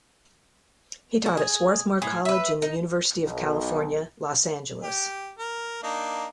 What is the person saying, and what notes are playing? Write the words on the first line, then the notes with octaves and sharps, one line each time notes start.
He taught at Swarthmore College and the University of California, Los Angeles.
F#4
G#4
A2 G#4
B4 E5
D#4
B1
G4
A#4
A#3 D4 D#4